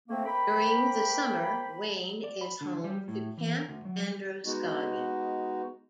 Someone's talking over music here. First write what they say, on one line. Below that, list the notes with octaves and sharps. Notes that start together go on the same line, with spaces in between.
During the summer, Wayne is home to Camp Androscoggin.
A3 A#3 C4
A#3 C5 G5 B5
D5
B5
D3
G3
A2
E3
A#4
D2
F#3
G3
G#3 B3 D#4 F#4